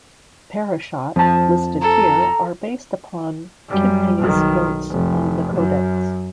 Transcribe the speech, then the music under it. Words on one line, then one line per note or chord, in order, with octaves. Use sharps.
"Parashot" listed here are based upon Kimhi's notes on the codex.
F2 F3 A5
A4 A#5
F#2 G3
B1 D#3
F1
F#2